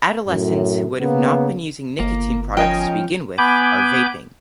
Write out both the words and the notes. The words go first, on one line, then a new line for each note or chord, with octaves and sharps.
Adolescents who would have not been using nicotine products to begin with are vaping.
F#2 A2
C#3 A#3 B3
G1 A#3
F3 C#4 A#4 D#5 G5 G#5
B3 G#5 B5 D6 G6